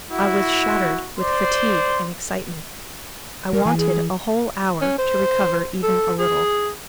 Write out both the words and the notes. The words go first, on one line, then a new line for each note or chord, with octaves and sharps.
I was shattered with fatigue and excitement; I wanted a whole hour to recover even a little.
E4 F#4
C5 D5 C6
G3 A#4
E3 G#5
G#4
C#4
C5
A4
G#4